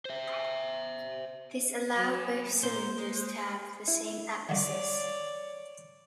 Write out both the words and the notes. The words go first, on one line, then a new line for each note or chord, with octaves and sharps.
This allowed both cylinders to have the same axis.
C5 E5
F#3 G#5 B5
A#3
A#2 C5
G#3
E4
G2 D3 D#3 C#5 D5